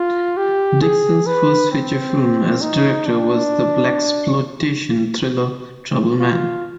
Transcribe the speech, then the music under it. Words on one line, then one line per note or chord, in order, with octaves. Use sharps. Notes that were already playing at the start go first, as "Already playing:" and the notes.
Dixon's first feature film as director was the blaxploitation thriller "Trouble Man".
Already playing: F4
G4
G#4
B4
C4
D#4
D4
F4